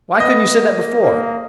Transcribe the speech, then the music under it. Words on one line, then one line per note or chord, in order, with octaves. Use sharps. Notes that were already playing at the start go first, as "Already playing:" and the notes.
Why couldn't you said that before?
B3 D#5
A#3
A#3